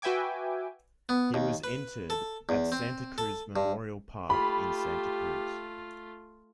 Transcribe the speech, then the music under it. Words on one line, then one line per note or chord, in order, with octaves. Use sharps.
He was interred at Santa Cruz Memorial Park in Santa Cruz.
F#4 B4 E5 G5 G#5 D6
B3
D#2
B4
A4
E2
C4
A4
G2
A3 F4 G4 B5